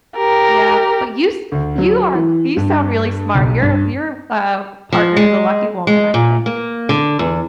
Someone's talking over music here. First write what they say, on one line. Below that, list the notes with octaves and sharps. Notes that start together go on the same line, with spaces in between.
yeah. But, you s you are g you sound really smart, your your, uh, partner is a lucky woman, I think.
G4 A#4
D2
F#3
E3
G2
B1
G2
F3
G#3
G#3
A#2
A#3
D3
E2